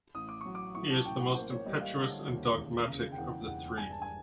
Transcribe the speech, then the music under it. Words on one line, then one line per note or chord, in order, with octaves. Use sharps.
He is the most impetuous and dogmatic of the three.
A1 D#6
D6
F#3 C#6
D6
A2 C#6
A5
A1 G5
F#5
A#3 C5
C#5
G3 D#5
F5
D3
D#2
E1
C#3
G5
E2 F#5
E1 F#5
G2 G#5
A5
G#5